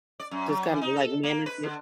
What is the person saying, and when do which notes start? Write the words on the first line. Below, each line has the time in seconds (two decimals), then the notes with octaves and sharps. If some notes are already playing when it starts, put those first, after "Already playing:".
just kinda, like, manage it.
0.20 D5
0.31 F#2
0.49 F#3
0.69 E3
0.81 D#4
0.96 A4
1.23 A#3
1.46 B4
1.63 D3